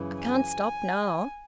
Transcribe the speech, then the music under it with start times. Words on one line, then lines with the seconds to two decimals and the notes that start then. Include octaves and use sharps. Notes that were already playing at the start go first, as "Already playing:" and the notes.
"I can't stop now."
Already playing: F#2 C#3 E3
0.20 G#5